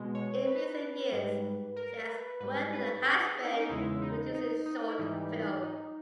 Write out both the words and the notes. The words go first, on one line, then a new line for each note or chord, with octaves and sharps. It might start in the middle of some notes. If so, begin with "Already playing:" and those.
In recent years, she has worked with her husband producing short films.
Already playing: B2 G#3
C#5
B4
G#2 G3
A#4
B4
G#2 G3 B4
B4
G#4
E4
D#4
C#4
D#4
E2 C#3 G#3 E4
D#4
D#4
D#4
E4
G#2 E3 G3 D#4
D#4